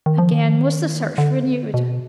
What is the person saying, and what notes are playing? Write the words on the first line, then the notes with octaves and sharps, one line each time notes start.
Again was the search renewed.
D#3
F3
D#3
D3
B2